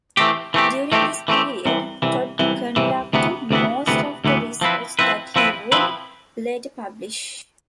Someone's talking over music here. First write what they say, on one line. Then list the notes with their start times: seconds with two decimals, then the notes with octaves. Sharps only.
During this period Tod conducted most of the research that he would later publish.
0.17 E3 A3 C4 G4
0.54 E3 A3 C4 G4
0.92 E3 A3 C4 G4
1.28 E3 A3 C4 G4
1.66 C2 C3 E3
2.02 C2 C3 E3
2.39 C2 C3 E3
2.76 C2 C3 E3
3.13 D2 C3 E3 B3
3.51 D2 C3 E3 B3
3.87 D2 C3 E3 B3
4.25 D2 C3 E3 B3
4.61 F3 C4 E4 B4
4.99 F3 C4 E4 B4
5.36 F3 C4 E4 B4
5.72 F3 C4 E4 B4